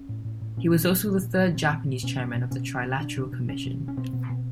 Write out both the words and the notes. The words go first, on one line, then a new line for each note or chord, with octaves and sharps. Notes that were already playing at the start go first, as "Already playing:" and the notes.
He was also the third Japanese chairman of the Trilateral Commission.
Already playing: C#4
A2
A2
A2
A#2 C#4
A#2
A#2
A#2
A#2
A#2
A#2 C4
A#2
A#2
B2 C#4
B2
B2
B2 C#4
B2
B2
B2 D4
B2
B2
B2 C#4
B2
B2
C#4
B2 C4
B2
B2